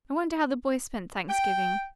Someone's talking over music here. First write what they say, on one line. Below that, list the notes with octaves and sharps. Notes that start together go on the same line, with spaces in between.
I wonder how the boys spent Thanksgiving.
G5